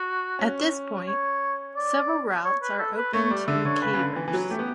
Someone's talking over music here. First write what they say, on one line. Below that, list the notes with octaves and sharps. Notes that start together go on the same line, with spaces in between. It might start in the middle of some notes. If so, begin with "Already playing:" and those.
At this point, several routes are open to cavers.
Already playing: F#4
C#4
C#5
D5
C#5
B4
A4
B4
A3 C#5
G3 D5
D3 E5
D3 C#5
C#3 B4
C#3
D3
E3
E3
F#3
A3 G4
B3